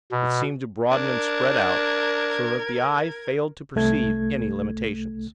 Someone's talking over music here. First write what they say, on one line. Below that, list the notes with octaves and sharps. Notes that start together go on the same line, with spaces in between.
It seemed to broaden and spread out, so that the eye failed to perceive any limitations.
B2
D4 A#4 G#6
C2 A3 G#6